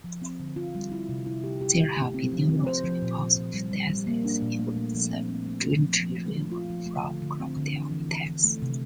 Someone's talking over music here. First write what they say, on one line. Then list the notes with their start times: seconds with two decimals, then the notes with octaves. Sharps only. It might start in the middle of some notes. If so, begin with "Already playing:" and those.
There have been numerous reports of deaths in the Daintree River from crocodile attacks.
0.04 F3
0.22 C4
0.40 D3
0.56 F4
0.75 G3
0.92 E4
1.09 C3
1.26 E4
1.44 G4
1.61 G4
1.79 D3
1.96 A3
2.14 C4
2.32 F3
2.49 C4
2.67 C5
2.84 F3
3.02 A#2
3.19 A#2
3.36 A#2
3.54 G3
3.72 G3
3.90 G3
4.07 A#3
4.25 D4
4.42 A#2
4.59 A3
4.77 A3
4.95 F3
5.11 C4
5.29 C4
5.46 A3
5.64 A3
5.82 F3
6.00 F3
6.16 A3
6.34 A3
6.52 F4
6.70 F3
6.86 A3
7.04 D3
7.22 D3
7.40 C4
7.57 D3
7.74 E3
7.92 E3
8.09 E3
8.26 E3
8.44 A3
8.62 C3